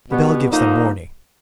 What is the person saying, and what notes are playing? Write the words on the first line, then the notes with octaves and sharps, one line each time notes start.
The bell gives them warning.
B2 G3 B3
D3 F3 A#3 D#4